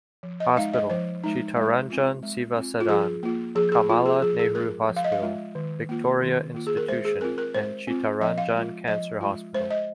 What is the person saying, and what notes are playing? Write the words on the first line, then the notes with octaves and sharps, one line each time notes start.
Hospital, Chittaranjan Seva Sadan, Kamala Nehru Hospital, Victoria Institution, and Chittaranjan Cancer Hospital.
F3
D#5
G#3 D#4 F5
D#5
F3 C5
G#3 D#4
G#3
C4 F4
G#3
C4 F4
F4
F3 G#4
A#3 F4
F3 G#4
G#4
A#3 F4
G#4
F3 G#4
G#4
G#3 F4 A#4
F3
F5
D#5
F5
G#3 F4
D#3
A#3 F4
D#3
A#3 F4
G#4
A#4
G#3 C5
G#4
C4 F4 A#4
A#4
G#3 C5
C4 F4
F3 D#5
F5
G#3 F4
F3 D#5
G#3 F4
G#3 C5
D#5